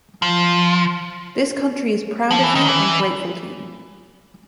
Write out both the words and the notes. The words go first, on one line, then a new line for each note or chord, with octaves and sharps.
This country is proud of you, and grateful to you.
F3
F3
E3
D#3
E3